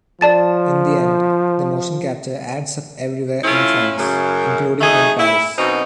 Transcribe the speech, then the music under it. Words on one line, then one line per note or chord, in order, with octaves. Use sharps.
In the end, the motion capture adds up everywhere in France, including in Paris.
F3 D5 A5 A6
A3 C#4 E4 F4
F#2 C#3
F#3 A3 D#4 G#4
E4
F#2 B2 C4 D#4